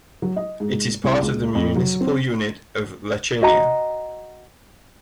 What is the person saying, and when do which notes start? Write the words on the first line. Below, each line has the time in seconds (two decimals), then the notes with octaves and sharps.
It is part of the municipal unit of Lechaina.
0.22 F#3
0.36 D#5
0.60 G#2
1.04 C2
1.22 C#2
1.55 F2
1.75 F#3
2.01 C4
3.41 F#4 D#5 A#5